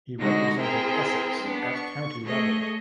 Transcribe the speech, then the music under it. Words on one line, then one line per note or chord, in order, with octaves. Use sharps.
He represented Essex at county level.
D3 G#3 D#4 F#4 A#6
C4 E4 G#4 A#4 C5 G5
B3 D4
C#6
A3 G#4 C#5 D#5